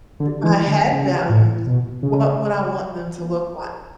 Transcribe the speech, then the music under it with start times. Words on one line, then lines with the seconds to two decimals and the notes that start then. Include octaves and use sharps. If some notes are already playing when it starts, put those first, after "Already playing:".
"If I had values, what would I want them to look like?"
0.20 D3
0.44 E3
0.68 D3
0.93 C#3
1.29 A2
1.67 B2
2.03 C#3